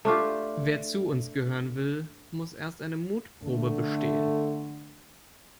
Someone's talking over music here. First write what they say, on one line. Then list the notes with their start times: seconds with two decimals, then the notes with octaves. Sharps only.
Wer zu uns gehören will, muss erst eine Mutprobe bestehen.
0.05 A3 D4 F4 G4
3.43 D3 A3